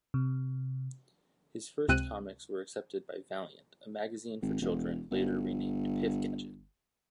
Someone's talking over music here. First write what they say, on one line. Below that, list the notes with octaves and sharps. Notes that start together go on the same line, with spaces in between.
His first comics were accepted by "Vaillant", a magazine for children later renamed "Pif-Gadget".
C3
C#2 C3 C4 F#6 D#7
G#1
E1
G1